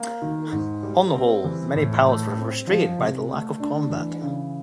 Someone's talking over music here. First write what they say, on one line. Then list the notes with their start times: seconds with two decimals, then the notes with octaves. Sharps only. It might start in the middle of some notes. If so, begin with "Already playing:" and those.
On the whole, many pilots were frustrated by the lack of combat.
Already playing: A#3
0.22 D#3
0.52 G#2
0.83 G3
1.14 C4
1.44 E3
1.75 A2
2.06 A3
2.37 C4
2.67 F3
2.98 C3
3.29 A3
3.60 D4
3.90 E3
4.22 C#3